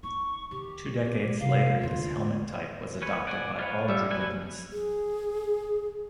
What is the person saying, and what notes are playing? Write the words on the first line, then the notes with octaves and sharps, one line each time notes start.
Two decades later this helmet type was adopted by all dragoons.
D#4 C#6
D#3 G4
C3 F5
E2 D3 F4
C#4 B4 C#5
D5 F#5 G#5
F4 B4 C#5
G3 E5
A4 B4 G#5
G#4